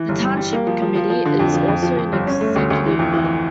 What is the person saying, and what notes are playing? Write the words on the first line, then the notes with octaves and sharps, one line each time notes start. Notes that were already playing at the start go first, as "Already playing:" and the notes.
The Township Committee is also an executive body.
Already playing: E3
G1
G3
G3
A#3
F3
F3
F3
F3
D3
F2
F3
F2
F3
F2
G1
C#4
A3
D2
D2
E3
F2
E3